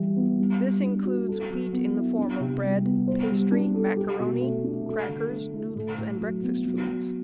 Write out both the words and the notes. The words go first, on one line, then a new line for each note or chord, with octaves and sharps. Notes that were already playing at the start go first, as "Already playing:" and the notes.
This includes wheat in the form of bread, pastry, macaroni, crackers, noodles, and breakfast foods.
Already playing: E3 G3
B3
G3
G3
D4
F#4
A4
F#3
B3
E4
D4
C3
G3
B3
C5
G3
D4
A4
G4
B2
A3
D4
A4
D3
A3
E4
A2
A2
F#3
B3
F#3
F#3